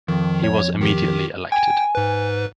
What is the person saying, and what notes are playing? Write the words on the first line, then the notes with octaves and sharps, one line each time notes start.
He was immediately elected.
F2 D#3
C#5
D#3 G4
G5 G#5
G#2 B4